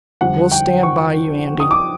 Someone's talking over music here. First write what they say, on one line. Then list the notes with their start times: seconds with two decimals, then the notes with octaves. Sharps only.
"We'll stand by you, Andy."
0.21 F2 D3 G3 F#5
0.52 G5
0.83 C#6
1.60 D#6
1.71 D6